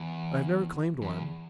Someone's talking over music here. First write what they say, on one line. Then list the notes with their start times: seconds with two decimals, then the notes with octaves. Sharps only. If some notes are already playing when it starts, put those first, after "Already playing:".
I have never claimed one.
Already playing: E2
1.02 E2